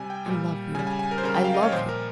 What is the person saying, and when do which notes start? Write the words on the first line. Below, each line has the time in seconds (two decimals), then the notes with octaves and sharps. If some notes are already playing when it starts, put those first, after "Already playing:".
I love you--I love you!
Already playing: C3 G3 G#5
0.10 G5
0.26 A#2 G3
0.75 C#3 G#5
0.79 G3
0.87 G#5
0.99 G#5
1.11 A#4
1.18 C5
1.23 C#3 G3 A#4
1.35 G5
1.44 F5
1.54 D#5
1.63 C#5
1.72 A#2 F3 C5
1.89 A#4